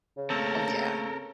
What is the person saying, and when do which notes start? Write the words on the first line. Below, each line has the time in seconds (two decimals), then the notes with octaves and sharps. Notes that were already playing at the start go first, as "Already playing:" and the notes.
Oh, yeah.
0.18 C#3
0.30 A3 A#3 C4 A4 A#4